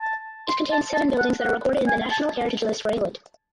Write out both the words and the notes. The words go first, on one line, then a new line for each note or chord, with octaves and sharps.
It contains seven buildings that are recorded in the National Heritage List for England.
A5
C6
A5
A5
F#5
F#5
G#5
A5